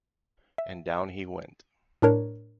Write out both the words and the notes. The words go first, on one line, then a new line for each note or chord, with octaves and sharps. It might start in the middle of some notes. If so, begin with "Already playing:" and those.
And down he went.
E5
A2 D4 A#4 C#5